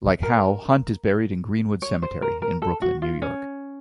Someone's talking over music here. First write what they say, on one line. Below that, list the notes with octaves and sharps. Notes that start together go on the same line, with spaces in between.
Like Howe, Hunt is buried in Green-Wood Cemetery in Brooklyn, New York.
A#4
C#5
C5
A#4
A#4
A4
F#4
F4
C#4